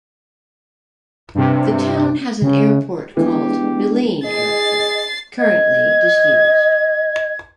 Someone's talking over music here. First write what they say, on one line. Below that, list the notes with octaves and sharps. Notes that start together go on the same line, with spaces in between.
The town has an airport called Bilene Airport, currently disused.
G2 C3
C#3
E3 G#3 B3 D4 G4
G#4 D#5 A6 C7
D#5 G#6